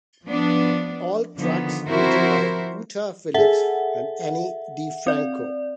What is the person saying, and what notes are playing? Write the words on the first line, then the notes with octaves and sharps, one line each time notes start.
All tracks written by Utah Phillips and Ani DiFranco.
F3 B3 D4
D3 D#3 F3 B3
F3 C4 E4 F#4 A#4 C5
G#4 A4 E5 F#5
C4 D5